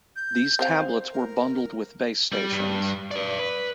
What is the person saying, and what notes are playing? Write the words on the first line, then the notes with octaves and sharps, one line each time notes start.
These tablets were bundled with Base Stations.
G6
C4 C5 F5
A#4
G3
G2
B4 D5
B4